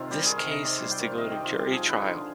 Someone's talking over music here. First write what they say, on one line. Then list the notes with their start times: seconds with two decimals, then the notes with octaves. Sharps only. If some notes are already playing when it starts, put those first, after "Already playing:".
This case is to go to Jury trial.
Already playing: C3 D#3 C4 F4
0.11 G3 G4
0.24 D#3 G#4
0.38 F5
0.46 C3 D#5
0.64 C4 D5
0.78 G3 C5
0.91 G5
1.00 D#3 F5
1.18 C3 D#5
1.31 C4 G4
1.44 F4
1.54 G3 G4
1.72 F3 G#4
1.89 D3 B4
2.07 D#4 C5